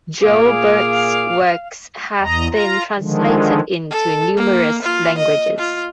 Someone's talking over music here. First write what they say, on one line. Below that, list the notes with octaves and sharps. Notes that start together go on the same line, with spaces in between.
Joubert's works have been translated into numerous languages.
A#2 G#4 F5 D6
E2 D#5 A#5
F4 A#5
D3 D#3 F3 G#3
A4
A#3
F4
D#5
F4